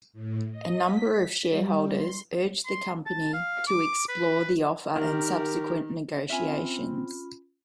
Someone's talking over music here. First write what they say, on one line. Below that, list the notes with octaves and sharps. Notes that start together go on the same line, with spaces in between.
A number of shareholders urged the company to explore the offer and subsequent negotiations.
A2
D#5
B6
G3
C6
C6
A5
F5
D6
B4
D#3 G4 A#4
C4 C#4 F4 E5 G#5 B5